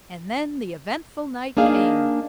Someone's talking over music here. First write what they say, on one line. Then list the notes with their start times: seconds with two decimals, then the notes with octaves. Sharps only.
And then the eventful night came.
1.57 A#3 D4 D#4 G#4 F5